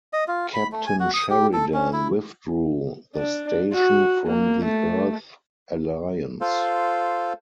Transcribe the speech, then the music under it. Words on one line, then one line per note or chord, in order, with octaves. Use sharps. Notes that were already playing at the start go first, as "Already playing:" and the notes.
Captain Sheridan withdrew the station from the Earth Alliance.
D#5
F4
B5
A3
G#5
F#4
D#6
G4
A4
C#4
E4
D4
F#4
A#3
A3
F4 A4 C5 F5